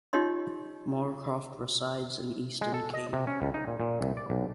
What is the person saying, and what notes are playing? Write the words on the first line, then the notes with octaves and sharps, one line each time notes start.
Moorcroft resides in Eastern Cape.
D#4 F4 G4 C#5 D#5 C6
G#3
A4
D#5
C3
C#4
C#2
D#4
A#2
A#2
C2
D5
B1